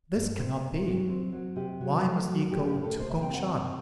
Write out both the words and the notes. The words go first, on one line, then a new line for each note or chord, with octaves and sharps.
This cannot be! why must ye go to Kung-shan?
G2
C4
C4
F#3
C4
F#3
C3 G4
F#3
A3
F#3
A2 G4
G4
A2
A4
A2 C5
E5
C4 G5
F#5
C4